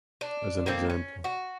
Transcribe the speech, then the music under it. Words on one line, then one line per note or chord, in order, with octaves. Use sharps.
As an example.
D4
D#3 A#3 C4 A4
C#4
F#4